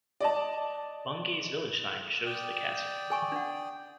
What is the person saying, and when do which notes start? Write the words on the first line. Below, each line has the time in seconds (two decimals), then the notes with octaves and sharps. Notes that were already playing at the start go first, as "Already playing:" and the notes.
Bungay's village sign shows the castle.
0.20 D5 D#5 A5
2.26 D5 G5 D#6
3.10 G#4 G#5 C#6
3.32 D4 F#5